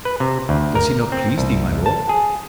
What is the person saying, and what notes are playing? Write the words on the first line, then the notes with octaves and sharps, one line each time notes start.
Does he not please thee, my lord?
B4
C3
D2
A#4
C4
C2
A5
G#4